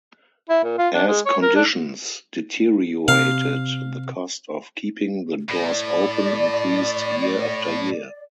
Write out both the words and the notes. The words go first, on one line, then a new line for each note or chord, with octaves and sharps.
As conditions deteriorated the cost of keeping the doors open increased year after year.
E4
A#2
F4
D4
G#3
C#5
A#4
D4
C3 F5
A2 D5